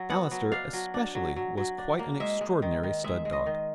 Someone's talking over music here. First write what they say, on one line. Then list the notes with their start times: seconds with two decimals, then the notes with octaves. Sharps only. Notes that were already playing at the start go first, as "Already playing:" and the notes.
Alister especially was quite an extraordinary stud dog.
Already playing: F#3
0.10 B3 F#5
0.31 F#3
0.52 D4 F5
0.73 F#3
0.94 D4
1.15 F#3
1.36 F#3
1.57 F#3
1.78 D4
1.99 A#3
2.20 G#3 E5
2.41 G#3
2.62 D#3
2.83 D#3
3.04 G#3 E5
3.25 G#3
3.33 D#5
3.46 D#3